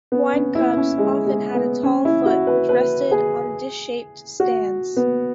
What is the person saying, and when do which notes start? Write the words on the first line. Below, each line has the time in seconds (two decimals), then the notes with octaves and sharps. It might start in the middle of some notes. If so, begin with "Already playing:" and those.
Wine cups often had a tall foot which rested on dish-shaped stands.
0.12 B3
0.34 C#4
0.55 E4
0.77 C#4
0.98 G#3
1.26 G#3
1.55 B3
1.83 C#4
2.05 E4
2.26 F#4
2.47 B4
2.69 B4
3.11 G#4
4.40 F#4
4.97 B3